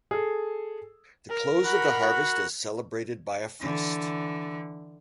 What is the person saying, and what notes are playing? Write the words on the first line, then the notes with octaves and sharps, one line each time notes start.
The close of the harvest is celebrated by a feast.
G#4 A4
A#4
F#4 F#5 B5
F#4
D3 E3